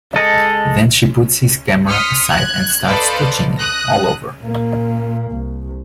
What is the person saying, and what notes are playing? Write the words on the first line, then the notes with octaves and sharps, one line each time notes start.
Then she puts his camera aside and starts touching him all over.
G#3 A4 D#5
C6 D#6 F6 B6 C#7
F#6 G#6
A4 B4 C5 D5 D#5 F5
D#6 F#6 A#6
A#2 A#3
C2